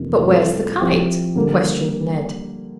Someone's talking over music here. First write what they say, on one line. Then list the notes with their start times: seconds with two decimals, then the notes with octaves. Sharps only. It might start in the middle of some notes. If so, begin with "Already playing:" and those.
"But where's the kite?" questioned Ned.
Already playing: F2 C3 E3 A#3 D4
0.26 A2 G3 C4 F4 A4
0.81 F3 C4 E4 G4
1.36 D3 G3 A#3